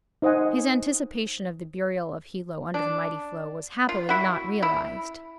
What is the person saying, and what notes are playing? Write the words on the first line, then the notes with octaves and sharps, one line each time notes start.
His anticipation of the burial of Hilo under the mighty flow was happily not realized.
D#4 C5 D#5 F#5 G#5
D4
F4
E4 F#4
E4